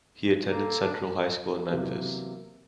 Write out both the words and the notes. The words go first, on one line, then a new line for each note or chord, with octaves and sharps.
He attended Central High School in Memphis.
A#3 A4
D4
C3 E3 F#3 A#3 B3